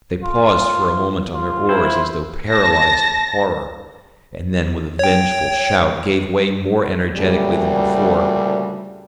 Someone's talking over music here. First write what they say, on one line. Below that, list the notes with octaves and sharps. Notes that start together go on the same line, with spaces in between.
They paused for a moment on their oars as though paralysed with horror; and then with a vengeful shout gave way more energetically than before.
F4
F4
E4 C5
A5 A#6
C#5 G5
D2 A#2 C#3 G3